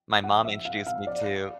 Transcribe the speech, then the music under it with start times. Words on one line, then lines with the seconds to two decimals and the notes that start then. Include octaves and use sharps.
my mom introduced me to.
0.24 F#5
0.45 E5
0.65 F5
0.86 F5
1.07 D5